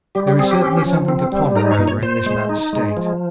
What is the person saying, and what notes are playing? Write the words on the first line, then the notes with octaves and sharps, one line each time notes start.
There is certainly something to ponder over in this man's state.
G3 G4
G4
C4 G#4
G4
C#4
F3
C4
G3
D#4 A#4
C#5
A#2
C#5
A#2 C5
G#3
D#4
G#3
F3